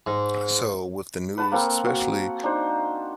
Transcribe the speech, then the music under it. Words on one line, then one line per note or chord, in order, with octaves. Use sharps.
On a so with the news, especially
G#2
B4 F#5 A5 B5
A#3 C4 A4
F#4 F#5
D4 D#4 C5